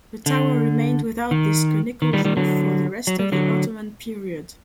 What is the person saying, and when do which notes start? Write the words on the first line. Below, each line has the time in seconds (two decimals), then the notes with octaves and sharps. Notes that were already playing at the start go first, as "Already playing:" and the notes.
The tower remained without this conical roof for the rest of the Ottoman period.
0.26 D3
1.31 D#3
2.02 D#3
2.13 D#3 G3
2.25 D#3 G3
2.37 D3 F#3
3.07 F#3
3.19 G3
3.32 D3 F#3